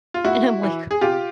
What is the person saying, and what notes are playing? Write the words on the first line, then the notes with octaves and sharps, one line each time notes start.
And I'm like,
F4
A2 E4 F#4
E3
G#4
C3 F4 G4